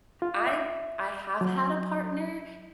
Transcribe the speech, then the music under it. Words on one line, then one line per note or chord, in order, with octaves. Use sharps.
I I have had a partner,
F4
E5
F#3